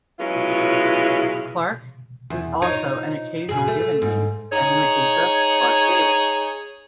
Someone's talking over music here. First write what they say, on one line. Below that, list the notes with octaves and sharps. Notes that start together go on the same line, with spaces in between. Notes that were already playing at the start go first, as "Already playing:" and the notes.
Clark is also an occasional given name, as in the case of Clark Gable.
F#3 G#3 B3 C#4 E4 F4
E2
D#4 F4 C#5
B2 G#4
A3
G#2
D#4 G#4 C#5